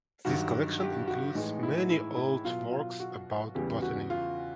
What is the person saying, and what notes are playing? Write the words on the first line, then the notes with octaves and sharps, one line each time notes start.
This collection includes many old works about botany.
G2 D#3 F#3 F#4
G4
F#4
A2 E3 G#3 D#4
E4
E4
E4
B2 F#3 F4
F4
F#4
E2 C#3 E3 G3 G4
F#4
F4